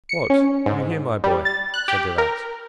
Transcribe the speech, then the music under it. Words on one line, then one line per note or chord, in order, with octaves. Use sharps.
"What! you here, my boy?" said the rat.
C#7
C#4
G#2
G3
A6
F#6
G4
A#4